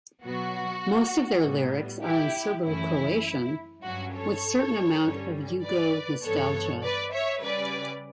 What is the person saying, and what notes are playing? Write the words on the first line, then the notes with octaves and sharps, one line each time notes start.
Most of their lyrics are in Serbo-Croatian with certain amount of "yugo-nostalgia".
B2 F#3 B3 F#4
A2 G3 B3
E4 G4
F#2 E3 A3 C#4 E4
G2 F#3 C#4 F#4
A4 C#5
G2 D3 G3 C#4
B4 D5
G2 E3 B3 A4 C#5
B4 D5
C#5 E5
C#3 G3 C#4 B4 D5